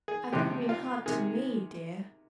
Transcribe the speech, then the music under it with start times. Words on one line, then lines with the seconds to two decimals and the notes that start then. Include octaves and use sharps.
I don't mean hard to me, dear.
0.08 G#4
0.32 C#2 C3 F3 G4
0.69 F4
1.06 C3 D#3 G#4